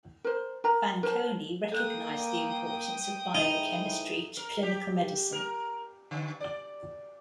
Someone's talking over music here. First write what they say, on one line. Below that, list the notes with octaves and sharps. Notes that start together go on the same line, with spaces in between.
Fanconi recognized the importance of biochemistry to clinical medicine.
A#4 C5
A#4 A#5
A#4 C5 A5
A#3 A4 G5 D#6 F#6 G6
G#2 D#3 D#4 E4
A#4
G4
A#4
D3
D5